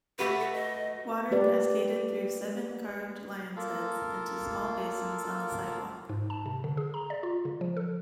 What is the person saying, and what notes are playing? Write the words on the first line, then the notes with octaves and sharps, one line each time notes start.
Water cascaded through seven carved lion's heads into small basins on the sidewalk.
A3 F#4 G4 B4
A4
D#5
A3 A#3 G4 B4 D5
A#3 F4 A4
G#2
A5
C3
D3
G#4
A#5
D5
F4
C#3
F3
A4